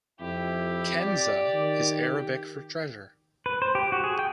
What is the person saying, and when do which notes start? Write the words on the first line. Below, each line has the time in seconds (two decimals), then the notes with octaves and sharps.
"Kenza" is Arabic for treasure.
0.20 F2 E4 G4
0.99 D5
1.54 D#3
3.46 B4
3.62 C5
3.75 G4
3.92 F#4
4.04 G#4
4.19 G5